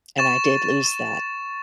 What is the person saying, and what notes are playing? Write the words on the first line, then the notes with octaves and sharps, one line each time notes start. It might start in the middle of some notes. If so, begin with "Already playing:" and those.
and I did lose that
C#6 A6 E7